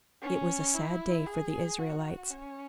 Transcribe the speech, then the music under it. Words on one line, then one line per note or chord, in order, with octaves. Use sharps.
It was a sad day for the Israelites.
C#4
E4
G#4
F#4
C#4